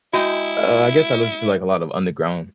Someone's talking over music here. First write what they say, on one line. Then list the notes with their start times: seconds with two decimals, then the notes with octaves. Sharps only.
Uh, I guess I listen to, like, a lot of underground
0.13 G#3 D#4 E4 F#4 G5